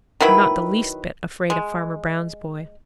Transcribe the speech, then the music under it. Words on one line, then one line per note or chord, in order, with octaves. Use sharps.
I'm not the least bit afraid of Farmer Brown's boy.
D#3 F#3 E4 B4
G#3